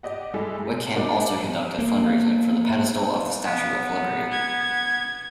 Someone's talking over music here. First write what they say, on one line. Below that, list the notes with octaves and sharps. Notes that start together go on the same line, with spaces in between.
Wickham also conducted fundraising for the pedestal of the Statue of Liberty.
G4 D5 D#5 F#5
G3 G#3 E4 G#4 A4
G#3
A#3 D4 F#4
G3 G4
A#3
B3
G#6